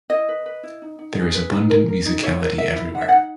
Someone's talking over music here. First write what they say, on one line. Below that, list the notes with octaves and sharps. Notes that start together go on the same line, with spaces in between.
There is abundant musicality elsewhere.
E4 D#5
B4
B4
E4
D#4
D#4
G#4
B4
D#4
A#4
A#4
D#4
E4 C#5
A#4
A#4 E5
E4
D#4 F#5
E5
D#4 F#5